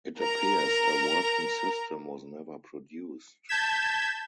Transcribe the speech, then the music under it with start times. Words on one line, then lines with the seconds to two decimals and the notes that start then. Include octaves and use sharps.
It appears a working system was never produced.
0.20 A#4 A#5
3.49 A5 G6 G#6 B6 E7